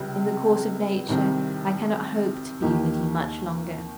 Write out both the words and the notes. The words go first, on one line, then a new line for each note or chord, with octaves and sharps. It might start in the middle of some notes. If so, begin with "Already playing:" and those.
In the course of nature, I cannot hope to be with you much longer.
Already playing: C#2 C3 G3
C2 C3 D#3 G3 C4
D#2 D#3 A#3 D#4 G4